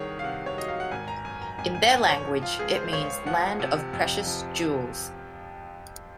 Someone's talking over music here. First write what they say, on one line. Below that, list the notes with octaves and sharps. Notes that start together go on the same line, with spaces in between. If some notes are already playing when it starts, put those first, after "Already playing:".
In their language it means "land of precious jewels".
Already playing: C2 D#3 G#4 C#5 F#5
F5
C3 F#5
C#5
F#3 D#5
F5
F#5
G#1 G#5
A#5
F#2 G#5
A#5
G#1 G#5
G#5
G#1 G#5
C#5
F3
F4
C#2 G#4
C5
C#2 C#5
F3 F#5
C3
F2
F3